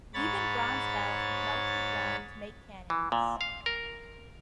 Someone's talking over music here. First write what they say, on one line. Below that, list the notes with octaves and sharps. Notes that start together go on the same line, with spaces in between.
Even bronze bells were melted down to make cannons.
G#2 C#5 B5 A6
E3
A#2
F5
A#4